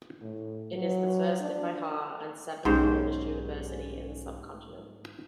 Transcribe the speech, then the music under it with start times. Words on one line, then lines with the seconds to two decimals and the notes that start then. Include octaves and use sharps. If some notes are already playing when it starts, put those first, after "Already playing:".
It is the first in Bihar, and seventh oldest University in the subcontinent.
0.21 A2
0.73 F#3
1.40 D4
2.65 B1 G#2 C#4 G4 C5